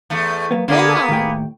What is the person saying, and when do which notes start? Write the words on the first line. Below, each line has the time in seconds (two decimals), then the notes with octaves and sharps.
Go 'long.
0.10 E2 A3
0.51 F#3 A#3 B3
0.68 D3 A#3 B3 D4 G#4
1.09 D#2 A2 G5